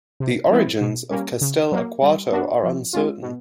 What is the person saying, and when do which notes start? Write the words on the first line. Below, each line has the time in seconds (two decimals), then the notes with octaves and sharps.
The origins of Castell'Arquato are uncertain.
0.20 C3
0.50 F3 G#3 C4 E4
0.81 B2
1.11 G3 A#3 C#4
1.41 C#3
1.72 F#3 A#3
2.02 G3
2.32 B3 D4 F#4
2.63 F3
2.93 G#3 C#4 F4
3.22 B2